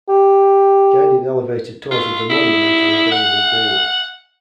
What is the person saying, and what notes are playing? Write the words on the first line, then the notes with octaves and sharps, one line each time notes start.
Guided elevator tours of the monument are available daily.
G4
F4
E4
F#5